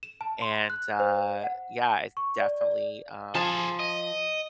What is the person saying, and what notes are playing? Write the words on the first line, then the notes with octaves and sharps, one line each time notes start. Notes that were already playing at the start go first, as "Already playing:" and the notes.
and, uh, yeah, it's definitely, um,
E7
A5
C6
F#6
C5
F#5
C#6
D5
D5
F3 G#4 A4 A5
D#5